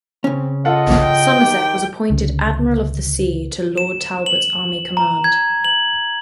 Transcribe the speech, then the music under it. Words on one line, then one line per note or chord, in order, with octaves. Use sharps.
Somerset was appointed Admiral of the Sea to Lord Talbot's army command.
C#3 C4 C#4
F4 A4 D#5 F#5
G5
D#3 G4
C#2 D3 C#4
E7
F#7
A#5
G#6
F#7